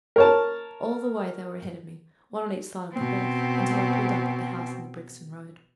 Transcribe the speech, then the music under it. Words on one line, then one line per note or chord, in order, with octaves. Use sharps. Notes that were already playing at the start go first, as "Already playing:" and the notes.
All the way they were ahead of me, one on each side of the horse until I pulled up at the house in the Brixton Road.
A#4 C#5 A5
B2 C4